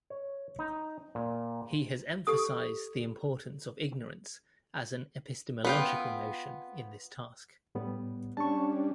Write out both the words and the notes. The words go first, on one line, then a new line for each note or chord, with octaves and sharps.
He has emphasised the importance of ignorance as an epistemological notion in this task.
C#5
D#4
A#2
G4 A4 D#6
B3 F4 G5
A2 G3 B3
G3 C#4 D4 A5 C#6